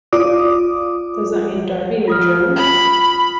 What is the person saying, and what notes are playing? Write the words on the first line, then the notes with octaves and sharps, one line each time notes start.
Does that mean Darby and Joan?
F4 D5 D6 D#6
F4 D#6 F6
B5